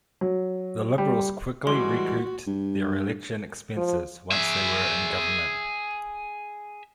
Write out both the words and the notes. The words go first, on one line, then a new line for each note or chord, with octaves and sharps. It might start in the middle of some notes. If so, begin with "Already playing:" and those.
The Liberals quickly recouped their election expenses once they were in government.
F#3
G3
E3 G3 G#3 F#4 C6
G2
F3
G#4 E5